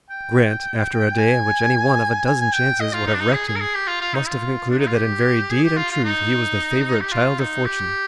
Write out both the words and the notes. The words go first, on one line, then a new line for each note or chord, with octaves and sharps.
Grant, after a day in which any one of a dozen chances would have wrecked him, must have concluded that in very deed and truth he was the favorite child of Fortune.
G5
G#5
G#5
G#5
G5
D#5
F4
D#4
D4
D#4
G#4
G#4
A#4
G#4
G4
F4
F4
D#4
F4
D4
D#4
F4
G4
G#4
G4
F4
F4
D#4
G4
F4
D#4
G4